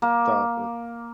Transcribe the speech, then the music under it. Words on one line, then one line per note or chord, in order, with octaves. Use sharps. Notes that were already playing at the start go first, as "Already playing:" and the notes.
stop it.
A#3